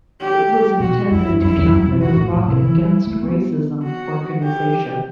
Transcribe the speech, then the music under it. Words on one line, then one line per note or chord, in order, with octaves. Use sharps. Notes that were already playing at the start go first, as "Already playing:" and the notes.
It was intended to counter the Rock Against Racism organisation.
G4
B2 F#4
F#2 E4
G2
F#2 E4
E2
F#2
C3
E3 F#4
A2
A2 E4
C3
E3
G3
A3
B3
F#4
G4